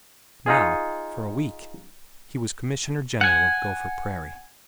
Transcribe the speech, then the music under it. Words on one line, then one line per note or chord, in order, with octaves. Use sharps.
Now, for a week, he was commissioner general of Gopher Prairie.
D#4 F4 G#4
F#5 G#5